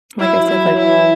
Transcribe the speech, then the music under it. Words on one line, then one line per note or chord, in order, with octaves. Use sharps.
like I said, like,
F#3 E4
F#3 E4
E3 E4